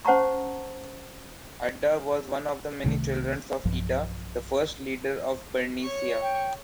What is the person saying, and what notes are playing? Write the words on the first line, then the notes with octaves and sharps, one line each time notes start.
Adda was one of the many children of Ida, the first leader of Bernicia.
C#4 C5 F#5 A5 A#5 C#6
C2 C3 D#3 A3
B1 G2 F3
C#5 C#6
G5